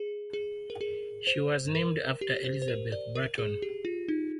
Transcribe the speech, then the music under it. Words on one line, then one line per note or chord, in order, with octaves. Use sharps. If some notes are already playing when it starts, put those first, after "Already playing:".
She was named after Elizabeth Barton.
Already playing: G#4
G#4
A#4
G#4
C5
A#4
G4
C5
C5
A#4
D5
A#4
G#4
G4
F4
D#4